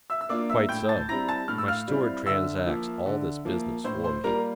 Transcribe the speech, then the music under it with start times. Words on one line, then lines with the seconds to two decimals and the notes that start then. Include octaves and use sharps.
"Quite so; my steward transacts all this business for me."
0.10 E5 E6
0.21 E6
0.29 A#3 D4 F4 D5 D6
0.50 E5 E6
0.69 A2 G5 G6
0.89 A5 A6
1.09 G3 C4 E4 A#5 A#6
1.28 A5 A6
1.48 A2 F6
1.58 E6
1.68 F5 F6
1.88 G3 C4 E4
2.26 D3 E5 E6
2.66 F3 A#3
3.06 D3
3.45 F3 A#3
3.84 A2 C5 C6
4.04 C5 C6
4.24 G3 A#3 F4 A#4 A#5